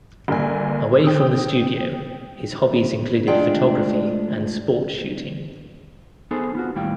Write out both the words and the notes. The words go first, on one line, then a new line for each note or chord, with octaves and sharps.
Away from the studio, his hobbies included photography and sport shooting.
G1 A#2 G#5
G5 D#6 E6
G#3 A3 D4 F4 G5
B3 D#4 G#4 A4 C5
B3 F4 F#4
D#2 A2 G3 E4 F5 G5